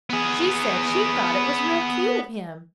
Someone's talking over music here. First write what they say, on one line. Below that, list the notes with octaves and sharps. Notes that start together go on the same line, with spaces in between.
She said she thought it was real cute of him.
B3 G#4